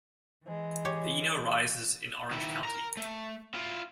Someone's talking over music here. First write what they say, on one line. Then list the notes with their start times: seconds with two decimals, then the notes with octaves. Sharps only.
The Eno rises in Orange County.
0.44 E3 G#3
0.85 G4 C#5
2.31 D#3 E4
2.65 A#4 A#5
2.97 A3
3.55 E4 F4